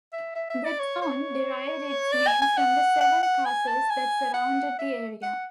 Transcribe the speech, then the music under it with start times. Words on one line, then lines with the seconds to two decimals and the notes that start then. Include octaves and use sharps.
The town derived its name from the seven castles that surrounded the area.
0.13 E5
0.35 E5
0.50 E5
0.64 D5
0.79 C#5
1.02 C#5
2.12 D5
2.27 G#5
2.42 G#5
2.57 F#5
3.01 F#5
3.23 F#5
3.46 G#5
3.68 A5
3.90 G#5
4.34 F#5
4.79 E5
5.23 F#5